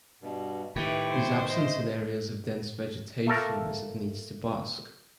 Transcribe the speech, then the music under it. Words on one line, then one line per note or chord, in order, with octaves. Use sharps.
It is absent in areas of dense vegetation as it needs to bask.
G2 B2
A2 D#3 E4 G4 B4 E5 C#6
C5 C6
A3 D#5
A3 A#3 A4 A#4